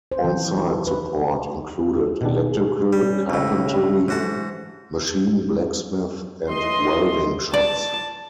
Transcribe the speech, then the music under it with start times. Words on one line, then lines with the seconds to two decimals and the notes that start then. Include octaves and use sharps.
Onsite support included electrical, carpentry, machine, blacksmith, and welding shops.
0.12 C5
0.24 E3
0.59 E4
0.87 B4
2.21 B2 D#3 D4 G#4
2.93 E3 G3 C#4
3.30 C#2 A2
3.74 G3
4.08 G#2 E3 F#3 A3 F#4 A5
6.51 E3 D#5 C6
7.54 D5 A5